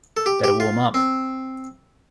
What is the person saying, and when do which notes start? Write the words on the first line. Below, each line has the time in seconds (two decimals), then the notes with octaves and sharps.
Better warm up.
0.17 A4
0.26 G4
0.44 G4
0.60 F4
0.94 C4